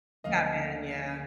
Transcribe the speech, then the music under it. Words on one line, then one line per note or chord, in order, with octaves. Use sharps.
Batman, yeah.
D2 C#3 F3 A#3 D4 D#5 F5